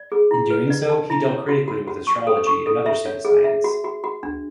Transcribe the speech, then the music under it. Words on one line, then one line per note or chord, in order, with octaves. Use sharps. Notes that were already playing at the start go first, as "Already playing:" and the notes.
In doing so he dealt critically with astrology and other pseudoscience.
Already playing: D5
G#4
E4
B4
D5
A5
E4
C#5
F#4
F#4
F#4
C#6
A4
C#6
A4
E5
C#5
G#4
E5
F#4
F#4
F#4
D4